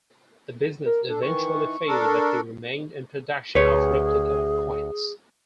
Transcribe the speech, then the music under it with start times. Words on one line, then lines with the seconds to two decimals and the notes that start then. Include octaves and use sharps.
The business eventually failed but he remained in production of replica coins.
0.86 A#4
1.09 D4 A4
1.23 D#3 E3 C#6
1.88 D4 A4 A#4
3.55 D2 G#4 B4 C#5